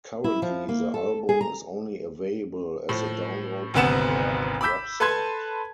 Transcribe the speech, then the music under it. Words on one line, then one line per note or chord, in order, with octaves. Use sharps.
Currently the album is only available as a download on their website.
E4
F3
A#3
A4
G#4
A#5
A2 F3
G#1 D2 C3 B3 F#5 E7
B5 D6 E6 G6 B6
A4 B4 A5 B5 C6 G#6